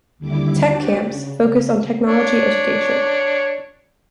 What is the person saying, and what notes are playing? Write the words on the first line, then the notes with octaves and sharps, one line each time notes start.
Tech camps focus on technology education.
D#2 D3 G3 E4 D6
D4 F#4 G4 D5
C#3
C#3
D4 C#5